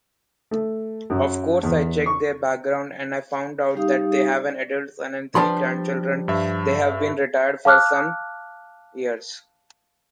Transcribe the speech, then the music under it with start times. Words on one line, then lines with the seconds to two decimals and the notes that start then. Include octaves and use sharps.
Of course I checked their background and I found out that they have an adult son and three grandchildren, they have been retired for some years...
0.51 A3
1.10 F#2
1.63 E2
2.06 C#6
3.75 G3 D#4 G4 F5 D#6
4.31 D5
5.35 F3 G3 D4 B4 A5 C6
6.28 G2 E5
7.65 F5 A5 D6 F6 F#6